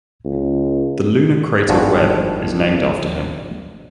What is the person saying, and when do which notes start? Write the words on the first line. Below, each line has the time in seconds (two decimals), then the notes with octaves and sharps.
The lunar crater Webb is named after him.
0.25 C#2
1.69 G#1 G2 F3 D4 F#4 G#5